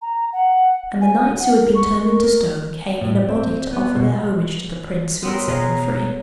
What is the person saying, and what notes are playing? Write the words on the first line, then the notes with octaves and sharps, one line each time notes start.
And the knights who had been turned into stone came in a body to offer their homage to the prince who had set them free.
A#5
F#5
G#5
F#5
A#4
C#6
A#4
A2
C4
B3
B2
B3 C4 A#4 C#5 C6
B2 G#4 B4 F5 A#5